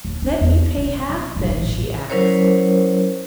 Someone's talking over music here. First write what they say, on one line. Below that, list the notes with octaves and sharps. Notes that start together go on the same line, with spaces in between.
'Let me pay half, then,' she asked.
D#2
D4
E2
C3
F2
B1
G2
E3
A1
F#3 C#4 E4 A#4 C5 C#5